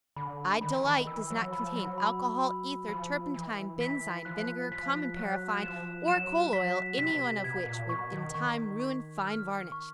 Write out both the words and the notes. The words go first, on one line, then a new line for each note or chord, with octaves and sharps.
I-DE-LITE does not contain alcohol, ether, turpentine, benzine, vinegar, common paraffine or coal oil, anyone of which will in time ruin fine varnish.
D3 B5
D#3 B5
E3
D#3
E3 E6
F#3
F3 B5
F#3
B5
B5
F3 B5
E3 B5
E3 B6
F3 F#6
F3 B6
F#3 F#6
F3 E7
F#3 E7
F#3 B6
C3 B6
B2 G#6
A#2
B2 C#6
D#3
D#3 C#6
C#6
F6
C#6